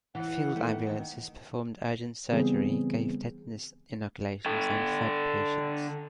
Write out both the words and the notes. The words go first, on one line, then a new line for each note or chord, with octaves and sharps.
Field ambulances performed urgent surgery, gave tetanus inoculations and fed patients.
E3 F5 F#5
D#3 A3 B3
D#3 A#3
C#3 E3 G3 B3 C4 G#4
D3 A4 G5